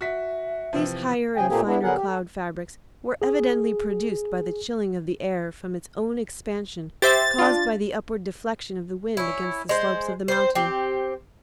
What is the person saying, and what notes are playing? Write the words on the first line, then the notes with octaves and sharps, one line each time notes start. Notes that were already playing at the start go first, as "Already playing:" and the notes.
These higher and finer cloud fabrics were evidently produced by the chilling of the air from its own expansion caused by the upward deflection of the wind against the slopes of the mountain.
F#4 E5 B6
C3 E3 F3
C#3 F3 G#4 G5 G#5
A#2 A3 A#3 C4 G4 G#4
B3 D4 E4
D3 F#3 B3 G#4 A#4 F#5
G4
A4
G#4
G4 C5 E5 A6
D4 F4
C#4 E4
G#3 C5
C4 C5
C4 G4